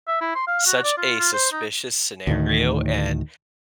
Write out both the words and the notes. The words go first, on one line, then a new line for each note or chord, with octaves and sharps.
such a suspicious scenario, and
E5
E4
C6
F5
F#4
D5
F4
F4
C5
D#4
D2 A2 D#3